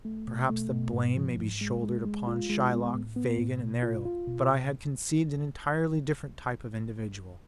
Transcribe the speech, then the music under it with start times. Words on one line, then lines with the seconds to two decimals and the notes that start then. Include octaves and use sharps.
Perhaps the blame may be shouldered upon Shylock, Fagin, and their ilk; but I had conceived an entirely different type of individual.
0.05 A3
0.27 B2
0.49 A3
0.72 B2
0.93 G#2
1.16 F3
1.38 G#2
1.61 G#3
1.83 G#3
2.05 G#3
2.27 F4
2.50 G#3
2.72 B3
2.94 A2
3.16 B3
3.38 A2
3.61 B2
3.83 F4
4.05 F4
4.27 B2